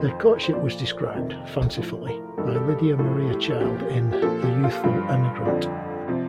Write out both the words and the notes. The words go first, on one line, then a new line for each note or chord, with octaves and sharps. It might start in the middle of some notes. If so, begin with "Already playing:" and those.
Their courtship was described, fancifully, by Lydia Maria Child in The Youthful Emigrant.
Already playing: F2 D#3 C5
C5
A#2 F3 D5
F2 C3 D#3
A2 F3
A#4
G2 D#3 A4
G4
A4
A4
A2 F3 A4
G4
A4
A#2 F3 G4
G4
A#2 F3 A4
G4
F4
G2 F3 F4
F2 D3 F3 D4
C3 F3